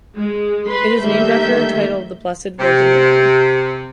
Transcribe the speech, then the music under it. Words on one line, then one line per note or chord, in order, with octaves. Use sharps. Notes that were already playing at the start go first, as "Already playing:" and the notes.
It is named after a title of the Blessed Virgin Mary.
G#3
B4 B5 C6
D#3 G3 A3 A#3 E5 G6
C3